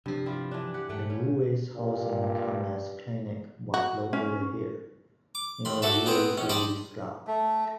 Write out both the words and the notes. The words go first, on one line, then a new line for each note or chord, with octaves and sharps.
The Ruwais Housing Complex Clinic was located here, near the Ruwais Ladies Club.
G2 C3 F3
G3 E4 F4
E3 D4
G4 F#5
G#2 A3 F#5 G5
A2 C#4
G2 A#2
F#4
C#4
D6
D#2 B5 C6
A3 F#4 A4 D5 E5
B3 C4 G#4 B4 C5
A#1 C#4
D5 D#5 G5 A5 B5 C6
A3